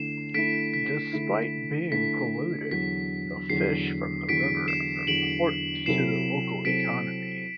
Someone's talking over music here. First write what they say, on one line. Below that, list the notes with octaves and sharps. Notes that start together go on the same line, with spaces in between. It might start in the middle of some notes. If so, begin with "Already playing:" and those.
Despite being polluted, the fish from the river are important to the local economy.
Already playing: D3 A3 E4 C7 E7
D3 A3 E4 B6 D7
B6
D3 A3 E4
D3 A3 E4 B6
E2 D3 F#3 B6
E2 D3 F#3 C7
E2 D3 F#3 B6 D7
C7 E7
E2 D3 F#3 D7 F#7
C3 F#3 C4 E4 A4 C7 E7
C3 F#3 C4 E4 A4 B6 D7